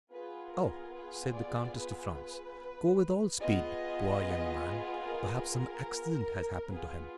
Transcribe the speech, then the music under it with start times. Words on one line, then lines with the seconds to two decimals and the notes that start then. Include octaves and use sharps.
"Oh," said the countess to Franz, "go with all speed--poor young man! Perhaps some accident has happened to him."
0.12 B3 F4 G#4 B4
0.52 A#4
0.93 B4
1.35 D5
1.75 B4
3.40 B3 F4 G#4 D#5
5.04 A#4
6.68 B3 F4 G#4 B4